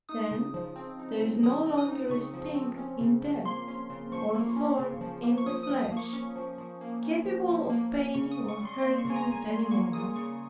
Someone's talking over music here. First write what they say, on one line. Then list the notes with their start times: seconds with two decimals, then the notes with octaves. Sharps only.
Then there is no longer a sting in death, or thorn in the flesh, capable of paining or hurting any more.
0.09 D#4 D#6
0.31 C#3
0.54 F3
0.76 C4
0.99 D#4
1.21 C#3
1.43 F3 D#6
1.66 C4
1.78 D#6
1.88 D#4
2.10 C#3 C#6
2.34 F3
2.55 C4
2.77 C#4
3.01 C#3
3.22 F3
3.45 A#3 C6
3.68 C#4
3.90 C#3
4.12 F3 C#6
4.35 A#3
4.56 C#4
4.79 C#3
5.01 F3
5.23 A#3
5.38 C#6
5.46 F3 D#6
5.63 D#6
5.69 F3
5.79 D#6
5.92 A#3
5.97 C#6
6.13 C#4 C#6
6.36 F3
6.58 F3
6.81 A#3
7.03 C#4
7.25 F3
7.48 F3
7.69 A#3
7.93 C#4
8.14 C#3 C#6
8.31 D#6
8.37 C#3
8.49 C#6
8.60 G3
8.65 C6
8.82 A#3 C6
8.98 C#6
9.05 C#3
9.10 G#5
9.16 A#5
9.26 C#3
9.32 G#5
9.49 G3 C6
9.71 A#3 C#6
9.93 C#3 D#6
10.16 C#3 C#6